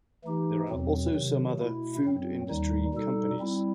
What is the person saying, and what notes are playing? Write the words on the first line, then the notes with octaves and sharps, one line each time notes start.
There are also some other food industry companies.
E3 A3 D#4 G4
E2 B2 F#3 C4
C3 D#3 F#3
B2 A3 E4
F#2 F#3 C4
D#2 D#3 G3 D#4
B2 G3 D#4 A4
G3 C4 E4